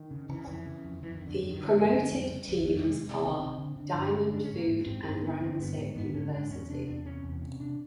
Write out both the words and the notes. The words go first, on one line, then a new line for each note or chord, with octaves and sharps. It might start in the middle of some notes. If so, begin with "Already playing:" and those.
The promoted teams are Diamond Food and Rangsit University.
Already playing: D#3
C#3
C#3 E3
F2 E3
C#3
F2
F2 E3
D#3
F2
D3
G2
D#3
D3
E3
G2 F3
D3 F#3
F2 G3
C#3
F2
F2
C3 G#3
C3 G#3
C3 C4
C3
D3
D3
G2 D4
D3 C#4
G#2 D4
C#4
G#2
A#3
G#2
G#2 C4
G2 C4
D3 B3
D3 C4
G2 B3
G#2
G#2 B3
G#2 C#4
G#2 D4
E2 C#4
C3 D4
E2 D4
C3 C#4
E2
C3 C#4
C3 D4